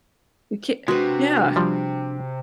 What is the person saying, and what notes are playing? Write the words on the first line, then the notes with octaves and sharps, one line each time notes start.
We c yeah.
C3 G#3 D4 F#4 B4
F3 G3